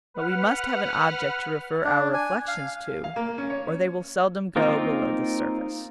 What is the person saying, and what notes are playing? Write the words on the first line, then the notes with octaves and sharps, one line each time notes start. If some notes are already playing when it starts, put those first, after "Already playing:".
But we must have an object to refer our reflections to, or they will seldom go below the surface.
B4 F#5 F6
D4
G#5
F5
F5
A#3
C#4
C#5
A#3 C4 D#4 F4 A#4